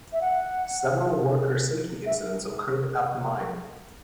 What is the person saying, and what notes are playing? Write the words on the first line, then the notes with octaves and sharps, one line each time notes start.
Several worker safety incidents occurred at the mine.
E5
F#5
E5